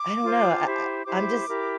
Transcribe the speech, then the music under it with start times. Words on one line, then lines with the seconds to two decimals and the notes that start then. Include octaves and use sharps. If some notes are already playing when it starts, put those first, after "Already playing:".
I don't know, I I I'm just
Already playing: D6
0.22 F4 C5
0.65 E4 G4 C5
1.05 E4 G4 C5 D6
1.47 E4 G4 A#4